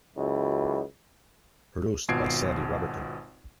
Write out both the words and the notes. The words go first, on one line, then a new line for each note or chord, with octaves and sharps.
Produced by Sandy Roberton.
C#2 F#2 E4 F#4
G#1 B2 F4 G#6 C7 D7